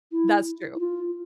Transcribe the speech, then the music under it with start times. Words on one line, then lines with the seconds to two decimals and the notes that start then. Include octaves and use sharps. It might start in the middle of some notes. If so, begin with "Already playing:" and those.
That's true.
0.12 E4
0.75 E4
0.79 F4